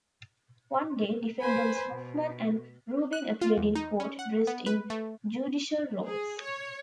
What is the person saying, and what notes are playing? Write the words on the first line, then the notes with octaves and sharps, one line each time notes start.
One day, defendants Hoffman and Rubin appeared in court dressed in judicial robes.
B4 C5 G#5 B5
B2
F#6
F4
E2
D#4
C#4
F#5
B3
B4
A3
G#4
C#5